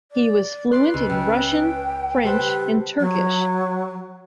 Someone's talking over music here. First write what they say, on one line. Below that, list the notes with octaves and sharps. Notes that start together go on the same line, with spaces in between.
He was fluent in Russian, French, and Turkish.
D5
B4 D5 C6 F#6
C#2
C#2 G5
G3 A4 B4 C5
F#3